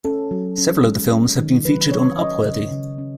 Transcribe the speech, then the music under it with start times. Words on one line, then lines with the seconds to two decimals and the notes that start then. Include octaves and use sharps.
Several of the films have been featured on Upworthy.
0.05 C#4 A4
0.31 F#3
0.58 C#4
0.85 G#3
1.12 C#4
1.38 D#3
1.65 F#3 B4
1.91 C#4 C#5
2.18 C#4 D#5
2.44 C#3
2.71 C#3
2.98 C#4